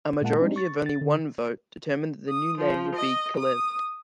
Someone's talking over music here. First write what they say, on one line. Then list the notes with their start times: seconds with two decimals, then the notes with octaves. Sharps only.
A majority of only one vote determined that the new name would be "Kalev".
0.22 A#2 G#3 A#3 F#5 A5
0.39 G3 G#3 C4 D4 D#4
0.56 C#6 A6
0.86 A6
1.01 D3
2.27 D#6
2.57 F3
2.94 D#5
3.37 D#6